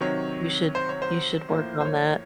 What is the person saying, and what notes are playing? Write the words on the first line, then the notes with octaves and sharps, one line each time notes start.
You should you should work on that.
C3 D#3 F#3 C#5
C5
C#5
C5
A2 F3 A#3
C5
C#5